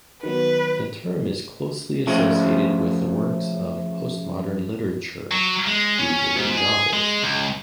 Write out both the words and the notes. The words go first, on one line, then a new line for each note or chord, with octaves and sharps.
The term is closely associated with works of postmodern literature, usually novels.
D#3 F#3 B3 B4
C#3 F3 A3
F#3
G#3
C#4
G#2
G#4
G#3
C#2